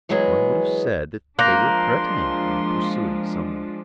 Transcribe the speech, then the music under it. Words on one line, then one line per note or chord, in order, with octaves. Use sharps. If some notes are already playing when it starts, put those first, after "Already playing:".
One would have said that they were threatening and pursuing some one.
E3 F#3 G#3 B3 G#4
F3 G#3 A#3 D4 C6 F#6 G6 A#6